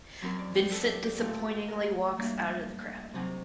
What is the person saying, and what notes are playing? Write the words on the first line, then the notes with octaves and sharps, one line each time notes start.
Vincent disappointingly walks out of the crowd.
F#2 F#3 C4 D#4 A#4
D5
G5
A4
G4
G4
A#2 A3 D#4 G4
A4
G4
G4
A#4
A2 G3 A#3 D4
C3 F#3 C4 D#4